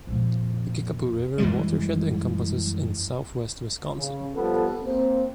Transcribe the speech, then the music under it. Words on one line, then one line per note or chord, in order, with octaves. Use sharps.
The Kickapoo River watershed encompasses in southwest Wisconsin.
F2 A#2
F#2 E3 G3 G#3
C#3
F3 G3 B3 A4
A#3 C4